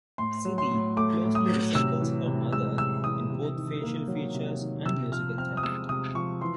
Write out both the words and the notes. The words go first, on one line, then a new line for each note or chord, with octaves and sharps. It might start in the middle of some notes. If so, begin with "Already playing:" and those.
Siri closely resembles her mother in both facial features and musical talent.
A2 C6
F#3
C6
A2
A3 D6
A2
D#6
F#3
C3 E6
E3
C3
G#3 E6
C3 E6
E3 D#6
C3
D#3
A#3
F#3
C3
D#3
C3 E6
F3 F6
C4 F6
D#6
G#3 E6
C3 D#6
F3 C#6
E3 C6